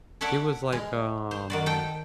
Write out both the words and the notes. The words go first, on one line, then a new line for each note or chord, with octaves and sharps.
he was like, um,
A4 C#5 D5 E5 F#5
G#3
C5
D#3 F#4 D5
A4 G5